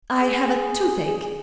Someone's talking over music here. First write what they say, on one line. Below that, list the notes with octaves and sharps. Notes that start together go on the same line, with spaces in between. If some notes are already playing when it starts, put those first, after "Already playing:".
I have a toothache.
G#4